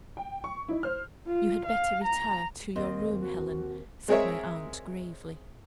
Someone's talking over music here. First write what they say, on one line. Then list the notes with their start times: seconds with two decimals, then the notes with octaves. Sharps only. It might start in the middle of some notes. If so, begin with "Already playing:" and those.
'You had better retire to your room, Helen,' said my aunt, gravely.
0.17 G5
0.44 C#6
0.68 D#4 E4
0.83 C5 F6
1.27 F4
1.66 F5
2.04 A#5
2.76 D#2 C4 D#5
3.21 F#4
4.08 G#3 C4 G#4 A#4 C#5 E5